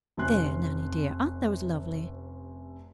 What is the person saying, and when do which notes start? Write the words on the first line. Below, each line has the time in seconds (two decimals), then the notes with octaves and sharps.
There, Nannie dear, aren't those lovely?
0.17 F1 C3 C#4 C6 F#6